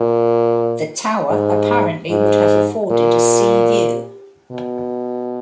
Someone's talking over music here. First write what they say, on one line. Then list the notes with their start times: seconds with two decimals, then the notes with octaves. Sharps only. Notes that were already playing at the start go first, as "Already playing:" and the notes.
The tower apparently would have afforded a sea view.
Already playing: A#2
1.30 G#2
2.10 G#2
2.91 A#2
4.52 B2